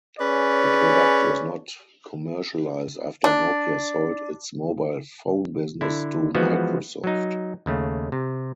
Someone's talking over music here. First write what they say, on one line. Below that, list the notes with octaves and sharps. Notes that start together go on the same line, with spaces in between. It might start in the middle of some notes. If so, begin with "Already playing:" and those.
The product was not commercialized after Nokia sold its mobile phone business to Microsoft.
C#4 G#4 B4 C#5 D5
D4
D3 E4
E3 F3 G#3 B3 F#4
F#3 D#4
D#2 C#3 A3
C3